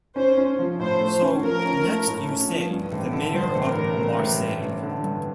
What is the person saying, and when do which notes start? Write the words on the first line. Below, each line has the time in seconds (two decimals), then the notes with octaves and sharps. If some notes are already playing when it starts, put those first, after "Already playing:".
So next you say the Mayor of Marseille.
0.16 C#4 C5
0.37 C#4
0.59 F3
0.79 A2 C5
1.01 A3
1.22 C#4
1.43 F3 A#4
1.65 C#4
1.85 A3
2.07 A2
2.28 C#4
2.49 F3
2.70 G2
2.91 A1
3.13 D3
3.34 G2 C5
3.55 A1
3.65 A#4
3.76 A1
3.97 A1
4.19 A1
4.40 G2
4.61 A1
4.83 D3
5.04 G2